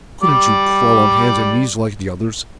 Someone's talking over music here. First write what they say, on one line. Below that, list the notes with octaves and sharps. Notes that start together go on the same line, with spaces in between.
Couldn't you crawl on hands and knees like the others?
G3 D5 D6